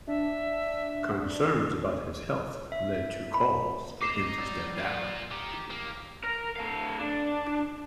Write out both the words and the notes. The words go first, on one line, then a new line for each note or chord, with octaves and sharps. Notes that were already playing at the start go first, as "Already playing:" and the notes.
Concerns about his health led to calls for him to step down.
D4 E5
E5
B5
D#4 D6 C7 E7
F#3 D5
A#3 F4
D#3 D#4 G4
D#2 A#3 G4
A#4
A3 F5
D4